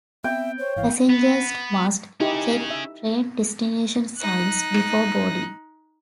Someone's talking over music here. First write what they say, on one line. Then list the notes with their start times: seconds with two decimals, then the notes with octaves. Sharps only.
Passengers must check train destination signs before boarding.
0.24 B3 C4 E5 G5
0.59 C5 C#5
0.76 G#1 E3 F5
1.10 B3
2.20 C#4 D#4 E4 G4 G#4
2.70 E5
4.19 D#4 F#6